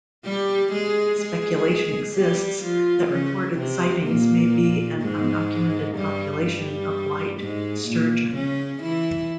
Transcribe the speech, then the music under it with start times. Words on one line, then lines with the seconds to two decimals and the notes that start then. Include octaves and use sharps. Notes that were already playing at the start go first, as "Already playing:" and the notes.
Speculation exists that reported sightings may be an undocumented population of white sturgeon.
0.25 G3 G4
0.72 G#3 G#4
1.20 G#3 G#4
2.16 G3 G4
2.64 F3 F4
3.10 C#3 C#4
3.58 C3 C4
4.06 A#2 A#3
5.01 G#2 G#3
5.96 G2 G3
6.44 G2 G3
7.40 G#2 G#3
7.87 A#2 A#3
8.34 C#3 C#4
8.83 E3 E4